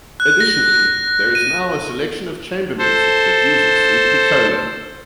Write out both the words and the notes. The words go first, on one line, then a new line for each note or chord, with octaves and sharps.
Additionally, there is now a selection of chamber music that uses the piccolo.
F#6
A#6
D#7
A4 C5